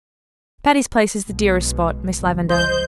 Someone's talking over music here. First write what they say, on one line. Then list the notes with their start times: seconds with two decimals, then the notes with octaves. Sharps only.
Patty's Place is the dearest spot, Miss Lavendar.
1.25 B1 B2 G#3
2.19 G1
2.49 C#2 F3 C5 D#5 G6